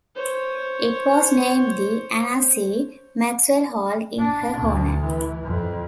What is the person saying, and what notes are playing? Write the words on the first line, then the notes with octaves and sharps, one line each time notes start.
It was named the "Anna C. Maxwell Hall" in her honor.
C5 C#5
D4
D2
E3
F2